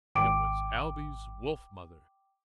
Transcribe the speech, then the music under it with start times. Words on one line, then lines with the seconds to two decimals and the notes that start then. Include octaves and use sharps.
It was Ailbe's wolf-mother.
0.15 G#1 G5 D6 D7